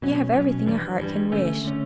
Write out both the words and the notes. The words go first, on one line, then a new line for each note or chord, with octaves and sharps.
You have everything a heart can wish.
B2 F#3 C#4
B2 F#3 C#4
G2 E3 G3
G2 E3 G3
D3 A3 C#4
D3 A3 C#4